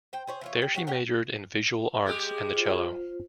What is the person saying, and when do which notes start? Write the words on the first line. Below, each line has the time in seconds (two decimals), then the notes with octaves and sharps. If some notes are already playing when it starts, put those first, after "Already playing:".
There she majored in visual arts and the cello.
0.13 C5 G5
0.27 G#4 C5 C#5
0.41 E3 F4 C#5
0.62 G4
0.75 G4 C#5 F#5
0.87 G4 C#5 F#5 G5
2.06 G#3 G4
2.55 F4 C5